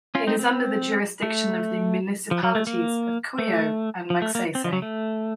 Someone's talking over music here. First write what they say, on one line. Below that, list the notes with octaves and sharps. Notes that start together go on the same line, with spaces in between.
It is under the jurisdiction of the municipalities of Cuyo and Magsaysay.
C#4 F4
C4 D#4
C4
A3
F3
F#3
A3
A#3
A3
F3
A3
A#3
C4
F3
F#3
A3